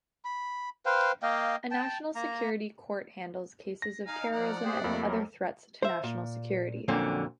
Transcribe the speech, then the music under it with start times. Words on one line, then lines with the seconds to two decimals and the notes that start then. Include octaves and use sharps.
A National Security Court handles cases of terrorism and other threats to national security.
0.25 B5
0.86 B4 C5 F5 G5
1.23 A#3 D#5 F5 G5
1.71 G5 A5
2.15 A#3 A#5
3.82 A#6
4.07 D#4 F5 G#5 F6
4.33 F3 D5 F#5
4.64 A#3 G4 G#4 C5
4.84 F2 C3 G3 A3 A#3
5.03 F#3 A3 A#4
5.82 C5 E5
6.03 A#2
6.88 F2 A#2 D3 F#3 C4 C#4